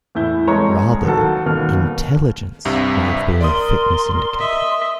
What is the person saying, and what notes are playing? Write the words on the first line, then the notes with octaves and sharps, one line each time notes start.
Rather, intelligence may have been a fitness indicator.
E2 A2 E4 G6
C2 G#3 A4 C#5 A#5 C#6
D#2 F#3 F#4 A4
D#1 D#2 B2 A#3 F6
C2 G2 C3 E5
A#4 D5 C6 D#6
D#5 E5